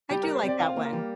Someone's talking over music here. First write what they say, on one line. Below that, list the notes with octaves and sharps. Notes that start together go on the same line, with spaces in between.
I do like that one.
G3 G4
G4 A#4
C5
C4 D5
F4 F5
A#3
A#4
G3